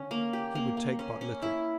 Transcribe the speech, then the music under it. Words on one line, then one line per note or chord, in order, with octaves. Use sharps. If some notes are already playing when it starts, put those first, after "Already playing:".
He would take but little.
Already playing: D3 C#4
A#3
G4
A#3
A#3
C#4
C#4
E4